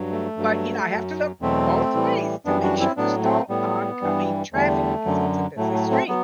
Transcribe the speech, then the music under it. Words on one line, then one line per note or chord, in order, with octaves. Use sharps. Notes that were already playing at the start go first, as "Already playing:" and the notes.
but, you know, I have to look both ways to make sure there's no oncoming traffic because it's a busy street.
Already playing: G2 F#3
A3
G2 F#3
F#2 F#3
E2 B2 F#3 A3 C4
A2 E3 G3
F#2 E3 G3 B3 D4
D4 F#4
C4 E4
A2 F#3 B3 D4
A3 C4
A2 G3 B3
G2 E3 G3
E2 D3 G3 A3
F#2 D3 F#3
A2 F#3 A3
A3
A3 C4
F#3 B3